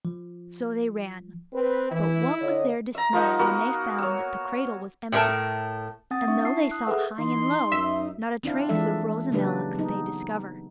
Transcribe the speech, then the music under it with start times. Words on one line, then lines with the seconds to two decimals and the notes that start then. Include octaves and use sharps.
So they ran; but what was their dismay when they found that the cradle was empty; and though they sought high and low, not a trace of Rosanella could they discover.
0.05 F3
1.54 C4 B4
1.92 E3 E4
2.40 D3 C#5 D#5
2.95 E5 A#5
3.13 F3 A#3 D#4 F#5
3.39 A#3 B3 F#4 A#4
3.99 C#5 E6
5.12 A2 F3 A3 A#4 A5
6.11 C4 F#5 G#5 D#6 A6
6.28 D4 E5 C#6
6.44 E4 A5 C7
6.71 D#6 F#6
6.86 G#4 A4 B4 E5 F#5
7.18 E3 D#4 C6
7.72 F#2 E5
8.43 C4 D4 E4 F5
8.69 E3 F3 G#3 D4 A4 E5
9.31 C#3 F#3 A#3 D4 G4 B4
9.75 B3 D#4